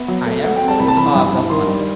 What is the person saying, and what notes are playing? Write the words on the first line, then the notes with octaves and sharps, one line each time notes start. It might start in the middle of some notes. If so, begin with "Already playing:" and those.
"I am Phileas Fogg, of London."
Already playing: B3 E5
F#3
A3
A3 F#5
G5
C4
A5
C2 B5
A5
E3 B5
G2
G2
D#3 C6
G3